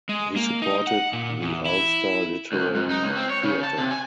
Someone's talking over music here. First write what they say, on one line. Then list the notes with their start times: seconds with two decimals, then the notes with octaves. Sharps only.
He supported the Ulster Literary Theatre.
0.09 G#3
0.36 A#3
0.62 D#4
0.87 F#5
1.13 A#2
1.42 E2
1.66 E4
2.52 C#2
2.75 G#2
2.91 D#4
3.04 C#2
3.17 C4
3.30 C#5
3.43 C#3
3.63 A5
3.78 C3
3.91 G#5